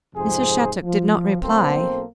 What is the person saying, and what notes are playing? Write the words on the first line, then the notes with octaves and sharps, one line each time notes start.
Mrs. Shattuck did not reply.
F2 G#2 C3 G#4 C5
F3
B1 A#3 C4 A4 C5